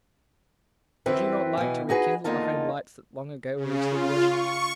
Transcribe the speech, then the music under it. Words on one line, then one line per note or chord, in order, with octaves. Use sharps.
Would you not like to rekindle the home lights that long ago were extinguished?
F#2 E3 C4 E4 B4
B2 E3
D#4 F#4 G#4 B4
E2 D3 A#3 D#4 F4 A5
C#3
F4
C#6